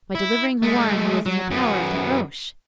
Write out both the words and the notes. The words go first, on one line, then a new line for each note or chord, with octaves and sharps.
'By delivering Houarn, who is in the power of the Groac'h.'
E4
G#3 A3
F#3
F#2 B3